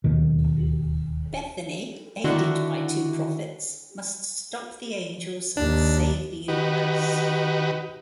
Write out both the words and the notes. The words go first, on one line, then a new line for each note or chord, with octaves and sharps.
Bethany, aided by two prophets, must stop the angels and save the universe.
D1 D#2 B2 D#3
D3 D#3 D4 E4 F#4
D#2 D4
D#3 F#4 G4 B4 D#5